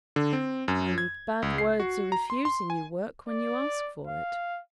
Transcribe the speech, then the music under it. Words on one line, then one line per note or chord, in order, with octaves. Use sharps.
'And bad words are refusing you work when you ask for it.'
D3
C4
F#2
G#6
C#2
C7
F#4
A#5
C6
C6
G#5
D5
F5